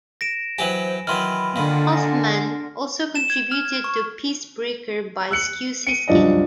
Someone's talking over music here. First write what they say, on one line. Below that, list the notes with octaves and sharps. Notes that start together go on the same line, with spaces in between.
Hoffmann also contributed to "Peace Breaker" by Skew Siskin.
A#6 D7 E7
E3 F#3 G4 C5 G#5
D#3 E3 F#3 B5 C6 F6
A#2 D3 D#3
G#5 A#6
E7
G#6
F6
G#6
C#6
E6 F#6 C#7 F#7
C#7 D#7
C2 F#2 F3 D4 D#5